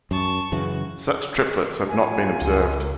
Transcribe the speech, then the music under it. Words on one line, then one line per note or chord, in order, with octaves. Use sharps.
Such triplets have not been observed.
F#2 A5 C#6
F#2 C#3 E3 F#4
F#3 F4 G#5
C#2